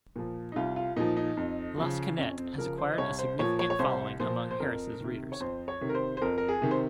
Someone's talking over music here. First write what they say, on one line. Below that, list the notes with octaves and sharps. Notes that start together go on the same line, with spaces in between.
Lansquenet has acquired a significant following among Harris' readers.
A#2 F3
D#4
C2 F4
F4
A#2 F3 D#4
D#4
F2
C#3 F3
F2 C#4
C4
C#3 F3 A#4
C5
D#5
C2 C#5
C5
A#2 F3 C#5
C#5
C#5
C2 C5
A#2 F3 C5
C5
F2 A#4
C3 D#3
C#5
F2 C5
C#5
C3 D#3
A#4
C5
C5
F2 A#4
A#4
G#4
C3 D#3
C5